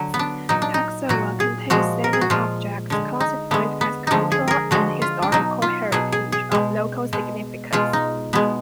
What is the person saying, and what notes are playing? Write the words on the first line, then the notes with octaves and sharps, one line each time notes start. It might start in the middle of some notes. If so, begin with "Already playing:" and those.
Toksovo contains seven objects classified as cultural and historical heritage of local significance.
Already playing: D3 F#3
B3
D4
A#2 F#3 D#4
D4
D#4
A#2 F#3 F#4
G#4
A#2 F3 G#3 F#4
A#4
G#4
F#4
A#2 F3 G#3 F4
D3 G#3
D#4
D3 G#3 B3
B3
D3 F3 G#3 D4 D#4
G#4
G#4 A#4
D3 F3 G#3 F#4
F4
D4
B2 F#3 D#4
F4
B2 F#3 G#4
G#4
G#4
B2 G#3
B2 G#3
B2 G#3 F4
D#4
B2 G#3 B3